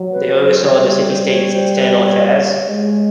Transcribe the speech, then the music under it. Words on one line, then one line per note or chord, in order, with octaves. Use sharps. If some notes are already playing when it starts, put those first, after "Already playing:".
They oversaw the city state's external affairs.
Already playing: F#3
B4
C5
G3 C#5
C#5
C5
D5
C#5
C5
B4
C#5
G#3